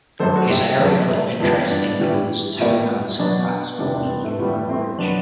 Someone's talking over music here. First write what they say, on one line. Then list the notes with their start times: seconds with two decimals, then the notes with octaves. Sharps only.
His area of interest includes tone and syntax of the Ewe language.
0.20 F#3 A4 C5
0.23 G2
0.35 F#4 A4
0.50 E4 G4
0.79 G2 F#3 B3
1.09 A3
1.40 G2 E3 G3 B3
1.70 B3 D4
1.99 A2 E3 G3
2.59 A2 E3 G3
3.19 B2 F#3 B3 D4
3.50 B3
3.78 E2 C3 E3 G3 B3 D4
3.94 B3 D4
4.04 C4
4.09 B3
4.24 A3
4.39 A2 E3 G3 B3
4.68 A3 C4
4.98 B2 F#3 B3 D4